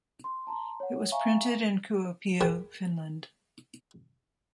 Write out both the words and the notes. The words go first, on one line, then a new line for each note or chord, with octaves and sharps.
It was printed in Kuopio, Finland.
C6
A5 A#5 C6
C#5 F#5
E5 F5 G#5 A#5 C#6
G#4 A#4 B4 C#5 F#5 G5